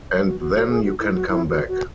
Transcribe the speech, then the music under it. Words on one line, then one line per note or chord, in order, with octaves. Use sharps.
And then you can come back.
C#5
F#4
F#4
F#4
G#4
F#4
E4
F#4
E4
F#4
F#4